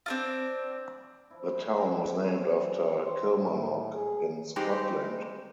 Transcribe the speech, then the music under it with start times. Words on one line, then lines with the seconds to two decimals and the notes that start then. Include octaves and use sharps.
The town was named after Kilmarnock, in Scotland.
0.06 C4 D4 F4
1.30 F3 D4 E4
1.55 F4 G#4 B4 C5
1.73 D3 E3
2.03 F#5
2.29 A#3 C4
2.53 G#5
3.02 C5
3.37 A2
3.93 G#4
4.56 G3 G#3 C4 D#4 G4